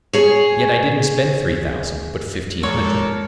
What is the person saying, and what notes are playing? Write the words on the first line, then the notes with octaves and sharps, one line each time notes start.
Yet I didn't spend three thousand, but fifteen hundred.
G#4 C#5
G#2 D4 A4 A#4 C#5 C#6